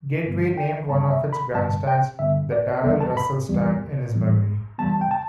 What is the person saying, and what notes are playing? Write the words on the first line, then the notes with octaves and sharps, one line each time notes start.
Gateway named one of its grandstands "The Darrell Russell Stand" in his memory.
G2 D3 G3 B3
G5
G2 D3 G3 B3 A5
E5
B5
G2 D3 G3 B3 A5
G5
G2 D3 G3 B3 E5
D5
E2 E3 G3 B3 E5
A5
B5
E2 E3 G3 B3
E2 E3 G3 B3
E2 E3 G3 B3 A5
G5
A5